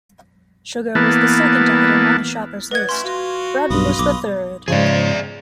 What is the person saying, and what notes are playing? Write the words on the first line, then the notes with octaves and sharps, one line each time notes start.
Sugar was the second item on the shopper’s list; bread was the third.
E3 A#3 B3 A5
B4 D5 D#5 F#5 G#6
A3 C#4 E4 F#4 C6
F4 F#4
B1 G2 F4 B4 D#5
B1 D6
G#2 C#3 F3 G#4 D5